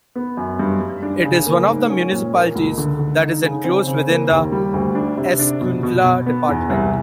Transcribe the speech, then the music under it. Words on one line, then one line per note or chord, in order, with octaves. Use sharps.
It is one of the municipalities that is enclosed within the Escuintla Department.
B3
F#2
G2
G2
D4
C#3
A#3
G#2
C#4
A#2
A#3
C#2
D3
D3
D#4
C#3
C4
C#3
A#3
D#2
G3
D2
D4
C3
D4
B2
B2
B2
B3
E2
C2